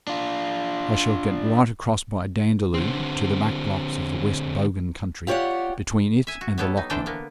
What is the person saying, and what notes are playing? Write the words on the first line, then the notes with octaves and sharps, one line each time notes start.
I shall get right across by Dandaloo to the back blocks of the West Bogan country, between it and the Lachlan.
D4 F4
D3 C4
F4 G4 C#5 D5 F#5
E5 G#5
F#4
F#3 G3 B3 E4 A4
D#4
D3 E3 D4 A4 C5 G5
A#3 B3